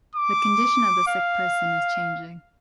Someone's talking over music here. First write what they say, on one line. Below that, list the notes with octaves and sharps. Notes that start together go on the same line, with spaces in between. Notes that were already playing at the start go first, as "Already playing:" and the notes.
The condition of the sick person is changing.
D6
F5